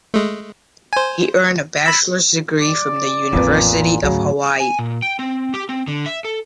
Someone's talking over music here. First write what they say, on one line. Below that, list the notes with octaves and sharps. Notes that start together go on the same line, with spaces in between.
He earned a bachelor's degree from the University of Hawaii.
G#3 A3
C5 G#5
B5 E6 B6
D5
A1 F2 A#2 E3 B4
D2 G#2 C#3 F#3
G#5
A#2
G5
C4
G4
C4
D3
E5
A4